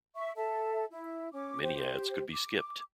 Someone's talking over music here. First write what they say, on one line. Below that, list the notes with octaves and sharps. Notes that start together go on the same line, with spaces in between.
Many ads could be skipped.
E5 C#6
A4 E5 A5
E4
C#4 D6
G4 C5
D6